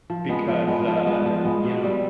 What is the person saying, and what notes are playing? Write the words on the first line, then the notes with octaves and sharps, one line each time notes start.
because, uh, you know, d
F3
G#3 B3
F3
G#3 B3
F3
G#3 B3
F3
G#3 B3
B2
G3 C4